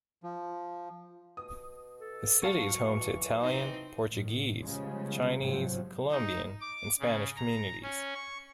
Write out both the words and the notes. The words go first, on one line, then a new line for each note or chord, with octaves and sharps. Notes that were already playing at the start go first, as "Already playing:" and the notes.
The city is home to Italian, Portuguese, Chinese, Colombian and Spanish communities.
F3
B2 D#6
A4
F#3 F5 A5 C#6
E3
C4 D#4
A2 D#3
C#3 F3 G3 G#3 B3
G1 G#2 C3 F3 F#3 C4
D#4
D6
C#3
A#5
C#4
C#6